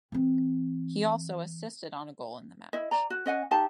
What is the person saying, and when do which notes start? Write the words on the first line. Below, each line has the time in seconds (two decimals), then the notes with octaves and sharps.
He also assisted on a goal in the match.
0.12 E3 C4
2.73 E4 D#5
2.91 D5 A#5
3.10 F#4
3.26 C#4 D#5 F#5 G#5
3.51 D#4 G4 F5 A5